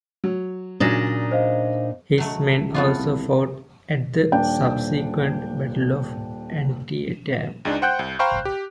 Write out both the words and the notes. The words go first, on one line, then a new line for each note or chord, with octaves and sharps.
His men also fought at the subsequent Battle of Antietam.
F#3
A#2 C#3 F#3 D4 D#4 D#6 A6 A#6
C5 D#5 F5
F#3 A3
C#2
F2 A3 B3 F4
C2
D#1 D4 G5
C#2 G#3 D4 D#4
C5 F#5 G5 F#6 G6
C2
C5 F5 G5 A#5 B5 C#6
G4